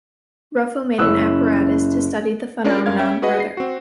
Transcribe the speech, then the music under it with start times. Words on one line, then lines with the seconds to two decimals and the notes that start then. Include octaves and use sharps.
Ruffo made an apparatus to study the phenomenon further.
0.98 F#1 C#4 E4 E6 F#6
2.64 G#3 C#4 D4 F4 A#4 D5
2.86 F#2 A#4 F5 G#6
2.99 C#4 E5 G5
3.22 F#4 G#4 B4 D#5 F#5
3.40 C7
3.57 C4 F#4